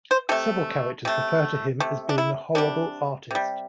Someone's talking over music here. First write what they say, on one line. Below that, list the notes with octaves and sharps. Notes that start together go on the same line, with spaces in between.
Several characters refer to him as being a horrible artist.
C5
C3 A3 A4
C3 A3
C3 A3
D4
E4
C3 G3 D4
C3 G3